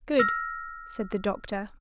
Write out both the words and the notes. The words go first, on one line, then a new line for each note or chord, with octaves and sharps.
"Good," said the doctor.
E6 F6 A#6